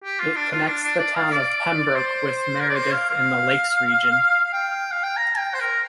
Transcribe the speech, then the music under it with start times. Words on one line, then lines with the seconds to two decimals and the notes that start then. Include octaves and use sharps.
It connects the town of Pembroke with Meredith in the Lakes Region.
0.04 G4
0.20 F4
0.36 D4
0.52 F4
0.67 D4
0.84 D4
0.99 D5
1.15 F5
1.32 D5
1.96 C5
2.60 A#4
2.69 D5
2.76 C5
2.92 F5
3.09 F5
4.45 F5
4.53 G5
4.92 F5
5.04 G5
5.17 A#5
5.38 G5
5.54 C5
5.60 A#4